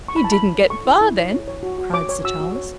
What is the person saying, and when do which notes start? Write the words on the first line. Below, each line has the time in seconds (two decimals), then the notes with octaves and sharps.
"He didn't get far, then!" cried Sir Charles.
0.08 A4 C#6
0.16 B5
0.24 E4 A5
0.32 B5
0.39 E4
0.55 C#5
0.70 A4 C#6
0.85 E4
1.01 E4
1.17 C#5
1.32 C#5
1.48 C#5
1.63 F#4
1.78 F#4
1.93 C#5 D6
2.09 C#5
2.24 F#4 E6
2.40 F#4
2.55 C#5